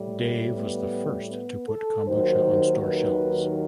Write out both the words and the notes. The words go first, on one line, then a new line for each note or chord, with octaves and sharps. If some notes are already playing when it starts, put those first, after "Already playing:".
Dave was the first to put kombucha on store shelves.
Already playing: A2 G3
B3
B3
A4
D#2 D#3 F#3 C5
B4